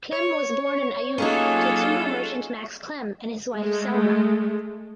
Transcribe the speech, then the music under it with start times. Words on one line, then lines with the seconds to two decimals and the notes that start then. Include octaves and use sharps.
Klemm was born in Aiud to timber merchant Max Klemm and his wife Selma.
0.12 C#5
1.18 F#3 A#3 C#4 D#4 F4 G#4 A4
3.53 G#3 A3